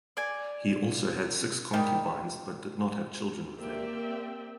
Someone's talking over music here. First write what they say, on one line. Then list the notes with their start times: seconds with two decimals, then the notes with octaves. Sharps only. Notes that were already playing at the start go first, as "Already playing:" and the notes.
He also had six concubines but did not have children with them.
0.17 D5 G#5
1.73 D#3 G3 A#3
3.58 A#3 C4 G4 D5 E5 G5